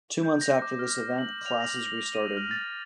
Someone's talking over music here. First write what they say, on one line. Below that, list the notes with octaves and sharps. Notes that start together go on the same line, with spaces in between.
Two months after this event, classes restarted.
G6
A#6
D6
F6
F#7
F7
A#6
A#6
D#7
F6
A6